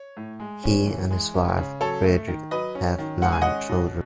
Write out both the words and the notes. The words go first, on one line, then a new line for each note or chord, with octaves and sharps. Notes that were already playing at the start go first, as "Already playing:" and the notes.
He and his wife Bridget have nine children.
Already playing: C#5
A2
G#3
C#4
E3
G#3
C#4
C#3
F#3 A4 C#5
A3
D#3
F#3 B4 D#5
C#4
D#3
G#3 F#5
G#5
C#4 D#5 F#5
B2